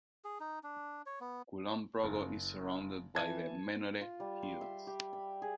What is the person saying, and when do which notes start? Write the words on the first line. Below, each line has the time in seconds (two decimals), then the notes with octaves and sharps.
Kulon Progo is surrounded by the Menoreh Hills.
0.25 G#4
0.40 D#4
0.63 D4
1.06 C#5
1.21 B3
2.04 F#1
3.15 E3 A5 G#6 D#7
4.01 F4
4.20 G3
4.42 C6
4.61 E5
4.87 G4
5.13 B5
5.42 G#4